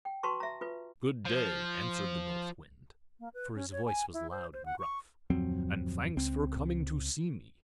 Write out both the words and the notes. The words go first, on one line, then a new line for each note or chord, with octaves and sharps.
'GOOD DAY!' answered the North Wind, for his voice was loud and gruff, 'AND THANKS FOR COMING TO SEE ME.
G5
F#4 B4 A5 C6 C#6
E5 A#5
F4 B4
F3
A#3
B4
C#4
C#5
G#5
E4
C5
C5
F#5
C#6
D1 F2 F#3 C4
C#2 C4